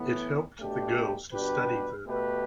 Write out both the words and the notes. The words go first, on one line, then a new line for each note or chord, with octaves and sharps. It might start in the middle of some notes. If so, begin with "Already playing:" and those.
It helped the girls to study further.
Already playing: A2 E3 B3
B2 A3 D4 G4
B2 G3 D4 G4 B4
B2 A3 G4 B4